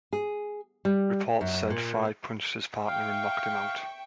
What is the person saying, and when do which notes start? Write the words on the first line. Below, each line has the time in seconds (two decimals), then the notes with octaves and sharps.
Reports said Fry punched his partner and knocked him out.
0.13 G#4
0.85 G3
1.41 F#2
1.70 A#2
2.88 E5 F5 G5 C#6